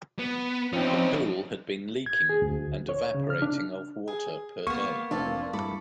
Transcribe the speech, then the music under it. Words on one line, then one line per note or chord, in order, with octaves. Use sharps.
The pool had been leaking and evaporating of water per day.
B3
F3 C4 C#4 D#4
G#6
G#4
D2
C#5
C#3
F6
D4
G#4
A#3 B3 C#6
F1 C4 D4 F4 A4 D5
G2 E4 A4 B5 D6